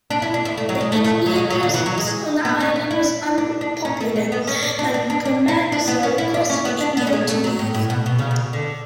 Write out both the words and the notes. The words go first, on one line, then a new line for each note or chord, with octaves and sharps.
The Indian presence on the island was unpopular, and Premadasa requested India to leave.
D4
E4
D4
E4
A3
F#3
G#3
A3
A3
F#3
G#3
F#3
D3
E3
F#3
G#3
B3
C#4
E4
E4
D4
D4
C#4
A3
A3
B3
C#4
D4
D4
D4
D4
D4
E4
D4
B3
C#4
E4
D4
C#4
B3
D4
B3
A3
G#3
A3
F#3
A2
A2
B2
B2
C#3
B2
D3